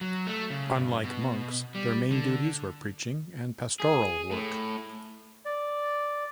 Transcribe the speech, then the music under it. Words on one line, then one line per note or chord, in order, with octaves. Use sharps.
Unlike monks, their main duties were preaching and pastoral work.
F#3
A3
C#3
G2
B2
G3
D3
G#4
A2
D5